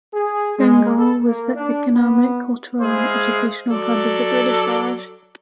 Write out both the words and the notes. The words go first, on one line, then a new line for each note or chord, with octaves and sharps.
Bengal was the economic, cultural and educational hub of the British Raj.
G#4
G#3
A4
A#3
D4
B3
G#3 E4 G#4 C5 F5
F#3 A4 D5